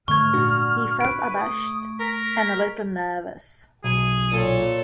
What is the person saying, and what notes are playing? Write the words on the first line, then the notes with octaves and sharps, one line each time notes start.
He felt abashed and a little nervous.
G#2 D3 A3 C#6 F6 G#6
A#2 D4 F#4
B4 D7
A3 D#6
A#4 B6
B1 G#4
A#2 A4 C#5